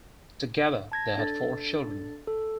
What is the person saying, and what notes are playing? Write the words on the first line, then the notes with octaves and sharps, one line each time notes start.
Together they had four children.
A5 G#6 A#6
D4 A4 A6
A4